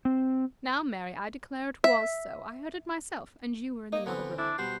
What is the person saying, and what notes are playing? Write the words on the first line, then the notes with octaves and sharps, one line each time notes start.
Now Mary, I declare it was so, I heard it myself, and you were in the other room.
C4
E5
A#3 D#5
D3 E3 B3 C4
D4 E4
B2 G3 C5 F#5